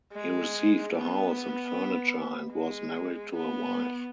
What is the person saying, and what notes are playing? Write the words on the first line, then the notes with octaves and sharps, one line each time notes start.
He received a house and furniture and was married to a wife.
G#3
B3
G#3
B3